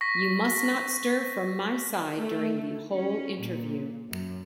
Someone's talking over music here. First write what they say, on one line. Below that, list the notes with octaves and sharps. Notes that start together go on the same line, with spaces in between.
You must not stir from my side during the whole interview.
C#6 A#6 B6
A3
C#4
A#2
F#2